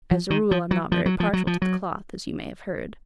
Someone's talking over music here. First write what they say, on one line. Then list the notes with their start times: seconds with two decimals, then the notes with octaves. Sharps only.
As a rule I'm not very partial to the cloth, as you may have heard.
0.11 F3
0.30 D#3
0.51 F3
0.71 F#3
0.92 F3
1.06 F#3
1.20 F3
1.33 F#3
1.47 F3
1.62 F#3